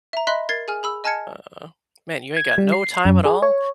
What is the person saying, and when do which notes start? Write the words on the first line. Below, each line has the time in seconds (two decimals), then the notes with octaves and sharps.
uh, man, you ain't got no time at all?
0.13 E5 A#5
0.27 D#5 E5 B5 C6 F#6 B6
0.49 A#4 G#6 A6 C7
0.68 G#4 G#5 F6
0.83 G#4 B5 E6
1.04 D#5 G#5 A5 F6 G#6 C#7
2.37 G#6
2.58 G3
2.72 C7
3.05 F#2
3.25 G#4
3.42 C#5